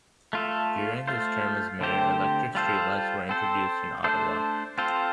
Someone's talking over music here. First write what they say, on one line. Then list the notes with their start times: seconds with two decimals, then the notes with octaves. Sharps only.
During his term as mayor, electric street lights were introduced in Ottawa.
0.33 A3 F4 A4
1.08 A3 F4 C5
1.81 D3 A3 C4 G4 C5
2.55 G3 F4 A4 C5
3.29 C4 A4 C5
4.04 A3 D4 A4 C5
4.78 C4 F4 A4 C5